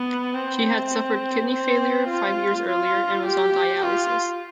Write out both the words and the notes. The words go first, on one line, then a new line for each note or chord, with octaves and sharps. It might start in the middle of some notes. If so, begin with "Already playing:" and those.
She had suffered kidney failure five years earlier and was on dialysis.
Already playing: B3
C4
C4
F4
F4
G4
F4